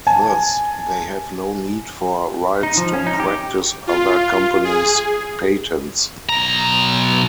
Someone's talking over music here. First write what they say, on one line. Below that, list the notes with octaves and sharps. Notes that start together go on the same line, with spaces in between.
Thus, they have no need for rights to practice other companies' patents.
G#5 A5
D#4
F3
C#4
D#4
G4
F4
G#4
B1 A#5